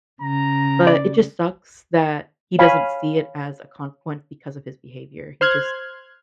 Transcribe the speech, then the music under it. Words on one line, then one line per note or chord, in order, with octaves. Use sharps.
but it just sucks that he doesn't see it as a consequence because of his behavior, he just,
C#3 A#5
D5
C#5 F5 G#5 B5
C5 C6 F6 F#6 G#6